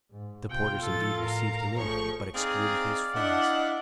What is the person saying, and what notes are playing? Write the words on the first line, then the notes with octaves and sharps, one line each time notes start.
The porters indeed received him in, but excluded his friends.
G#2
C3 F4 G5
A2 F3 A4 A6
A2 A#4 F5 A#5
A#1 F3 A3 G#4 C#5 C#6
C4 D#4 G#4 D5 F5
D4 E4 D#5 F#5